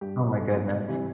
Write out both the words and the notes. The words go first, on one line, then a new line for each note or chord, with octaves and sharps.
Oh my goodness.
G2 G4
F#3 B3
G2 A4
F#3 B3
C2
C3 E3 G3 C4